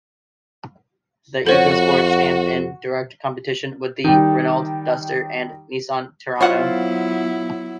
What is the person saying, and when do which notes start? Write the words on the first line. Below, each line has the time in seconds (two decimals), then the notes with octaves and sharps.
The Ecosport stands in direct competition with the Renault Duster and Nissan Terrano.
1.47 F2 F#4 A4 C5 C#5
4.04 D#3 G3
6.41 F#3 B3 E4 F4 C5 C#5 F#5